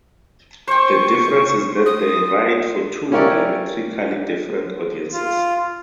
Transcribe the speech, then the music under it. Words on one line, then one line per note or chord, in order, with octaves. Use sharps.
The difference is that they write for two diametrically different audiences.
C5 G5 C#6
D#6
C#4 E4 G4 A#4 C#5 D5
F4